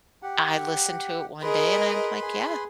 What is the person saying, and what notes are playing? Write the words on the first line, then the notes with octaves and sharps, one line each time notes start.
I listened to it one day and I'm like, "Yeah,
G4 F#5
G#4 A#4 B4 D#5 B5 C6
G#4